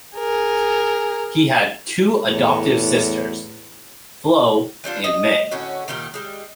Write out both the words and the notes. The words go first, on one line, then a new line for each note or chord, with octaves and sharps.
He had two adoptive sisters, Flo and May.
G#4 A#4
E2 A2
E3 G3 D4 F4
D#5
A2 D3 C#4 F#4
A#2 D#3 G3 G4
G3 G#3